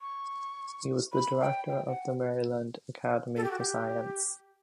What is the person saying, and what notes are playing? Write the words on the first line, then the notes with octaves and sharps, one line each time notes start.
He was the director of the Maryland Academy of Science.
C#6
B5
G5
G5
F#5
A4
G4
F#4
G4